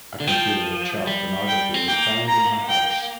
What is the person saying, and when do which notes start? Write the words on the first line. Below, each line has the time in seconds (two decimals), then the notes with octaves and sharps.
A computer with child pornography was found in the house.
0.20 D3
0.27 F3 G5
1.07 G3
1.48 G5
1.74 C4
1.88 A#3 G5
2.28 A#5
2.69 G5